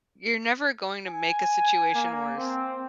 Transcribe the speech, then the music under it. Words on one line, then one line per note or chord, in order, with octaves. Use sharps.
you're never going to make a situation worse
G#5
A#3
C4